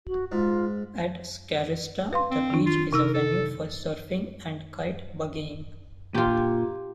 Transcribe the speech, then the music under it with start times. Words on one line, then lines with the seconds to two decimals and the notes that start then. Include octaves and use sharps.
At Scarista the beach is a venue for surfing and kite buggying.
0.07 F#4
0.32 G#2 F4
2.13 B4 F5 C6
2.31 C4
2.50 D#3 D4
2.66 F4
2.93 C3 D#4 A#4 E6
3.14 A4
6.14 A#2 F4 G4